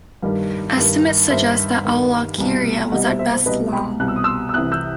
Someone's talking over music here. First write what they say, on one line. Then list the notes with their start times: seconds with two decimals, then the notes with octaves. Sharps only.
Estimates suggest that "Alwalkeria" was at best long.
0.22 G2 D#3 G3
0.77 G2 D#3 G3
1.30 G2 D#3 G3 C5 E5
1.85 G2 D#3 G3
2.38 C2 B2 G3
2.92 C2 B2 G3 D#5 F#5
3.05 C5 E5
3.19 C5 E5
3.32 C5
3.46 C2 B2 G3 B4 D#5
3.72 G5 B5
4.00 C2 B2 G3 F#6
4.08 E6
4.16 D#6
4.24 C6 E6
4.49 E6
4.53 C2 C3 E3 D#6 F#6
4.72 E6 G6